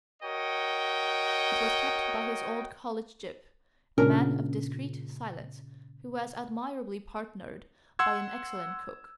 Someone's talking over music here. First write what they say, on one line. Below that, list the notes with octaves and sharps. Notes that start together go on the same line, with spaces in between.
It was kept by his old college gyp, a man of discreet silence, who was admirably partnered by an excellent cook.
F#4 A#4 C#5 D#5 G5
A#2 C#3 C#4 D4 A#4
F#5 C6 E6 G#6